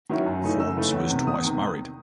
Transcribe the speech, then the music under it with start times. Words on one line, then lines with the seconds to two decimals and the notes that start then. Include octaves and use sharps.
Forbes was twice married.
0.09 D#3 F#3 C#4 E4
0.26 F#2
0.43 C#3 E3 A3 D#4
0.60 F#2 E6
0.77 C#3 E3 A3 D#4
0.93 E2
1.10 C3 D#3
1.27 E2 D#6
1.44 C3 D#3